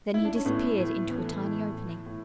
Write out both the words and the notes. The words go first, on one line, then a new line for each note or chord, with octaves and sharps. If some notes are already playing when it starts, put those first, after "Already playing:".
Then he disappeared into a tiny opening.
E4
D4
C#4
A2 B3
A2
E3 B3
A3
A3
E3
A2
A2